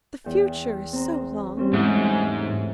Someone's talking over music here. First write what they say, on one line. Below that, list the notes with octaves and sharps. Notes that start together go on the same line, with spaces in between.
The future is so long.
E2 G5
C4 A#5
G3 C4 C#4
G#2 E3 A3 E4